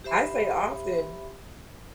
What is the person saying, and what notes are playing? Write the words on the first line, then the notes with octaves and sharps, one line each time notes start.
I say often
G4 C5 E5 B5 C6